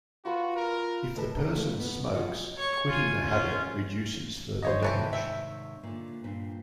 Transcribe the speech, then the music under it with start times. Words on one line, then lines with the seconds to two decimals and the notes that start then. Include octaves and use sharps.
If the person smokes, quitting the habit reduces further damage.
0.25 F4 F#4 B4
0.56 A#4
1.15 A2 D#3 A4 B4 A5
1.35 D3 F#3 C4 D4 D#4 A#4
1.55 F2 G#3 A3
1.80 B2 B3
2.14 F#3 F4 F#4 G#4 D#5
2.56 C#5 C#6
2.88 F4 G#5
3.25 C#4 F4
4.62 G2 D#3 C5 C#5 D#5
4.83 G#2 C3 D#3 E3 A3 G4
5.13 E5
5.83 A#2 D3
6.24 G2 A#2 C4